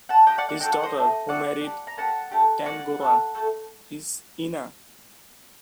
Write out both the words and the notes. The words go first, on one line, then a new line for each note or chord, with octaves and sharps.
His daughter, who married Tangaroa, is Ina.
F#5 A5
D4 G4 D#5 G5
D5 F#5
D5 F#5
D4 F#4 A4 D#5 G5
D5 F#5
C5 D#5
A3 D4 F#4
A3 C4 F#4 D5 F#5
D4 G4
A#5
A#3 D#4 G4 F#5 A5
A3 D4 G4
A#3 D4 F#4 D5 F#5
D4 F#4 A4
A3 C4 F#4 A4